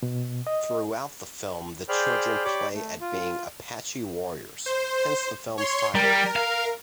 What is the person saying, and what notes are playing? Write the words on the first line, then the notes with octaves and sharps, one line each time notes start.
Throughout the film the children play at being "Apache warriors", hence the film's title.
B2
D#5
G#4 C5 D5 G5 B5 F6
G4 C#5 D5 B5 D6
A3
F4
C5
C#5 C6
G3 A#4
F5